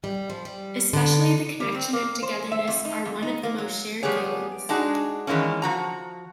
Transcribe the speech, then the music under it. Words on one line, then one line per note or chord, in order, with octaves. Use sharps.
Especially the connection and togetherness are one of the most shared feelings.
G3
F3
G3
D3
G3
C4
A#3
C5
E5
F2
D#4
F2
D#4
A#3
F#3
F3 G3 B3 G#4 C#5
G#3 D4 D#4 F#4 G#4
D#3 E3 G#3 A#3 C#4
F3 F#4 A#5